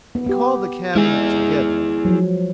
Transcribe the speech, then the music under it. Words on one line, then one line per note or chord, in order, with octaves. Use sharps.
He called the Cabinet together.
B3
B3 G4
G#3 E4 G#4
F3 F#3